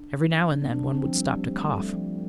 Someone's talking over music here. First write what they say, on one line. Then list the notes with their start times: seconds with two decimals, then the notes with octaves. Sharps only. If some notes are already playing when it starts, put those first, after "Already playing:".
Every now and then one would stop to cough.
Already playing: D4
0.52 D4
0.62 C4
0.73 D4
0.84 C4
0.95 C4
1.04 F3
1.15 G3
1.31 G3
1.46 G3
1.56 A3
1.62 G3
1.78 G3
1.94 F3